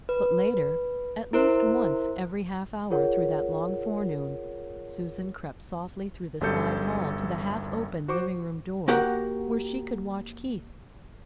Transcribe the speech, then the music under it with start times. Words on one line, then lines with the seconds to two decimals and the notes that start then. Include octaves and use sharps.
But later, at least once every half-hour through that long forenoon, Susan crept softly through the side hall to the half-open living-room door, where she could watch Keith.
0.09 B4
1.33 E4 A#4 C5
2.91 F4 G#4 A#4 C#5 F#5
6.41 G1 F#2 G3 A4 G6 C#7
8.08 F#4 C5 C#6 D6
8.88 A#3 F#4 G4 A#4 F#5 G5